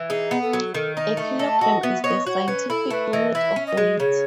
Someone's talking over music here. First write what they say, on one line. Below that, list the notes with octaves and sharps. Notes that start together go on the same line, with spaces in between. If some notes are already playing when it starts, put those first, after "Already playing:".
A kilogram is the scientific unit of weight.
Already playing: E3
D#4 G#4
B3
A4
F#3
D#3 A4
D#4 D#5
A3
A4 D#5
F#4 D#5
B3 E5
C#5 D#5
F#4 C#5
C#4 B4
E4 A4
A3 B4
E3 D#5
E4 E5
C#4
D#5
G#3
C#3 C#5